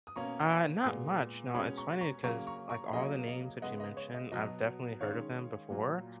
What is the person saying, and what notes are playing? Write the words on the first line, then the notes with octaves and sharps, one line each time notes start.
Uh, not much. No, it's funny, 'cause, like, all the names that you mentioned, I've definitely heard of them before,
D#6
B2 A#3 C#4 A#5 C#6
A#2 G#3 B3
B2 G#3 C#4 B5 D#6
A#5 C#6
A#5 C#6
C#3 F#3 A#3 C#4 A#5 C#6
A#5 C#6
A#5 C#6
C#3 F#3 A#3 C#4 D#5
D#5
C#3 G#3 B3 D#5 F#5
D#5
C#5
D#5
B2 F#3 B3 D#5
D#3 G#3 C#4 C#5 F5
A#2 F#3 A#3